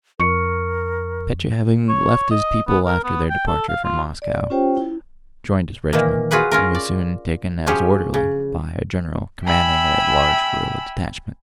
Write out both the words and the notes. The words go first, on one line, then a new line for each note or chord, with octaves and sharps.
Petya, having left his people after their departure from Moscow, joined his regiment and was soon taken as orderly by a general commanding a large guerrilla detachment.
F2 A#4 C#6 C#7
C#5
D#5
B3
A#4
B3
G5
A4
F5
F4
D5
C#4 F4 G4 C5 C#5 G5
E4
A#2 D#3 E3 A#3
F4 F#4 G#4 B4 F#5
C#4 F4 A#4
D5
F3 F#3 C#4 G4 G#4 C#5
C#3
E5 G5 G#5 B5 E6